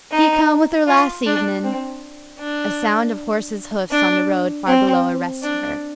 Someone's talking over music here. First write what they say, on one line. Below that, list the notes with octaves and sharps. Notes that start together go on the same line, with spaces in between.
"He come with her las' evenin'--" A sound of horses' hoofs on the road far below arrested her.
D#4
F4
D4
C4
D4
D4
C4
D4